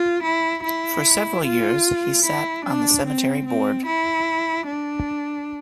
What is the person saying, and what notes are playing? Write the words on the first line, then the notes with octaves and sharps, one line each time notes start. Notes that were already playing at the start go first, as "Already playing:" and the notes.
For several years, he sat on the cemetery board.
Already playing: F4
E4
E4
F4
E4
D4
C4
C4
E4
D4